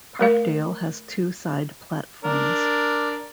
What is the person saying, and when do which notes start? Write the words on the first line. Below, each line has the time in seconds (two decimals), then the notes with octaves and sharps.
Parkdale has two side platforms.
0.19 A3 A#4 F5
2.24 D4 A#4